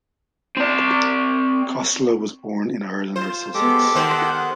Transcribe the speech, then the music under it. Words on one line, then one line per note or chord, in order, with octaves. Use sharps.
Costello was born in Ireland or Sussex.
C4 D5
F4 C5
G#3 B3 G4 A4 D6
D#3 C5 F#5